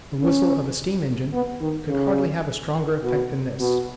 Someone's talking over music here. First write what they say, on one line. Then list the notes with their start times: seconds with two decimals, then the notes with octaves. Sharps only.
The whistle of a steam-engine could hardly have a stronger effect than this.
0.20 C#4
1.33 B3
1.61 D#3
1.90 C#3
3.03 B2
3.60 B2